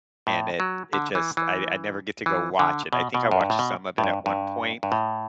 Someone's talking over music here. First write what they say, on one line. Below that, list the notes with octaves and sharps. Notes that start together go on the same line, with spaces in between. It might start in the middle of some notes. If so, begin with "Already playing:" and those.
and it it just I I never get to go watch it, I think I watched some of it at one point,
A2
F#3
D3
E3
E3
E3
D3
B2
B2
F#2
G2
A2
B2
A2
G2
G2
G2
A2